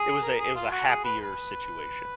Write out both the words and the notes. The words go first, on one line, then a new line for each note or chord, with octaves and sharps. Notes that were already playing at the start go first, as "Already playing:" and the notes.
it was a it was a happier situation.
Already playing: G#4
A#4
G#4
F4
F#4
G#4
B4
B4